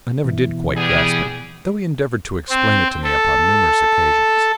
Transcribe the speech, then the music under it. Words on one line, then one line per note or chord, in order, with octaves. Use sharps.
I never did quite grasp him, though he endeavored to explain it to me upon numerous occasions.
B2 E3
G3 B3 G#4
C4
A4